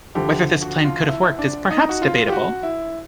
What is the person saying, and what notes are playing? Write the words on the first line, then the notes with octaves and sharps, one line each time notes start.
Whether this plan could have worked is perhaps debatable.
D2 D3 F3 G4
F#4
F4
E4
D4
D#4
F#4
F4
G4
F#4
E4